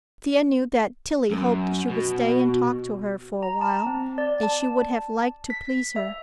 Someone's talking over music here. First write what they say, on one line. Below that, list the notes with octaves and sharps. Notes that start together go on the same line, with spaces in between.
Thea knew that Tillie hoped she would stay and talk to her for a while, and she would have liked to please her.
F#2
B2 F#4
A#5
A5
C4
D5
A5
B6
E5